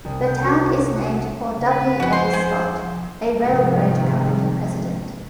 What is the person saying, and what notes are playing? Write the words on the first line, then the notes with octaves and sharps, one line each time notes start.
The town is named for W. A. Scott, a railroad company president.
C2
G6
F#4
F#5
C#3
B4
F#2 F3 F#4 F#5 G#5
C5 C6
G#4
F3
G#2 C3 D#3 F3